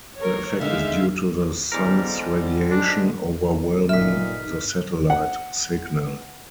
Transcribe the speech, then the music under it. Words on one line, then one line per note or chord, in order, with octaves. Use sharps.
The effect is due to the Sun's radiation overwhelming the satellite signal.
A#4 C#5
D3 G#3 D#4 E5 F5
E2 D3 G3 G#3 C4 A#4
D4
G1 A#2 D#4 E5 F6 B6
F#5